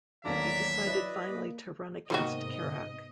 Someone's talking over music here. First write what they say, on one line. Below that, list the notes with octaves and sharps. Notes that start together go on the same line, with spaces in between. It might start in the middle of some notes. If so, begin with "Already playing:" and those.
He decided finally to run against Chirac.
A1 D#2 F#3 B3 D5 E5 A#5 D6
E4 B4 D5 D#5
A#3
G#2 C3 D#3 A#3 B3 F#4 D#5